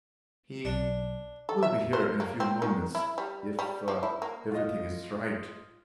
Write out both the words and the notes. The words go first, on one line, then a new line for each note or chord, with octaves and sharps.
"He--will be here in a few moments if--everything is right."
B1 D4
A4
E5
C5
A#3
C4
D#3
E4
G3
G3
F3
E4
A#3
F4 D#5